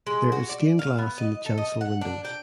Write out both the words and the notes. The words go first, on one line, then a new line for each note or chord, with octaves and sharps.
There is stained glass in the chancel windows.
G#3
F#4
D5
F5
B3
D#5
A4
D#5
F#5
D4
G5